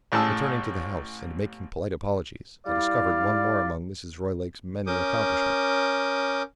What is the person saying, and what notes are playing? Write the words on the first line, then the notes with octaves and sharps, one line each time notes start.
Returning to the house, and making polite apologies, I discovered one more among Mrs. Roylake's many accomplishments.
A1 A2 G#4 A5 E6
G3 E4 D5 F5
C#4 A#4 D6 D#6 G6